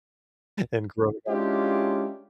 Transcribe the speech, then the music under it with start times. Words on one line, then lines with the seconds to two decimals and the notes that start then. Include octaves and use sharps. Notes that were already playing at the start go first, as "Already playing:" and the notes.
in growing up.
1.28 G#3 C#4 D4 E4 F4 G4